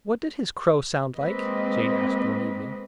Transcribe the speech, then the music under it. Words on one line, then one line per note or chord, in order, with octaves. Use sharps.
"What did his crow sound like?" Jane asked one evening.
G#3 A#3 C4 B4 D#5